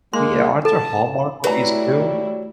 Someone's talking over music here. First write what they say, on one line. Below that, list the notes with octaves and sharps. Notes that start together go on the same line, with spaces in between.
Oh, yeah, aren't there Hallmark movies, too?
G#3 A#3 C6
A4 A5
F#3 G3 A3 E4 B4 A#5